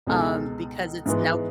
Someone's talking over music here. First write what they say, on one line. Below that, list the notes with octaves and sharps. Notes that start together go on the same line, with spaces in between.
um, because it's now
C#2 B2 G#3 D#4 A4
G#2 E3 G#3 B3